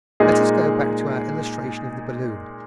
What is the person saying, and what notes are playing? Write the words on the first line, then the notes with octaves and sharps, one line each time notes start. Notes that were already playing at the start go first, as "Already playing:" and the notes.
Let us go back to our illustration of the balloon.
A#2 G#3 D#4 G#4